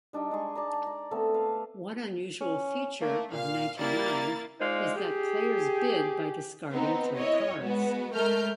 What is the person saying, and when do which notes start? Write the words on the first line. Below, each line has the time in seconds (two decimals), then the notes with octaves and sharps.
One unusual feature of ninety-nine is that players bid by discarding three cards.
0.13 G3 D4 D#4 D#5
0.30 G#3 D4 G#4 C#6
0.55 D5 A5 A#5
0.86 A#5
1.11 A3 B3 C4 A4
1.34 B4 F5
2.41 C#4
3.02 A3 A#3
3.33 A#2 F5
3.79 G3 A#3 E4 A6
4.61 G#3 D#4 F4 C5 D5
4.96 G4 G#4
6.72 B3 C4 D#4
7.16 E4 C#5 D#5
7.60 G#3 B3 F#4
8.14 G#3 A3 A#4 F6 G6